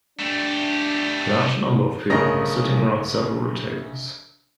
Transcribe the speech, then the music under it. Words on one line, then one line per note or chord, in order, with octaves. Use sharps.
A large number of people are sitting around several tables.
A3 D4 G4
A#1 C#3 A3 A#4 D#5 A#6